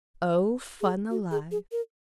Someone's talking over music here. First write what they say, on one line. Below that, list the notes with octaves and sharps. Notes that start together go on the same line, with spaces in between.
Oh, fun alive!
G#4
F#4
G#4
G#4
A#4